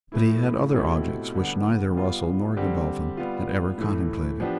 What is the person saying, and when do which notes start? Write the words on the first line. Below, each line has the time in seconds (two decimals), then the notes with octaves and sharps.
But he had other objects which neither Russell nor Godolphin had ever contemplated.
0.12 A2 F3 A3 E4
0.74 B2 A3 C4 E4 G4
1.35 D3 G3 B3
1.95 G3 B3 F4
2.57 D3 G3 C4 G4
3.17 G3 B3 F4
3.78 A2 E3 A3
4.40 F3 B3 D4 G4